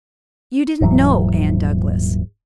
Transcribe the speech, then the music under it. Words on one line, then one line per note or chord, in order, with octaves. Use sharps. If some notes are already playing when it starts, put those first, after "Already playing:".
You didn't know Anne Douglas?
D#1 G#2 E3 F#3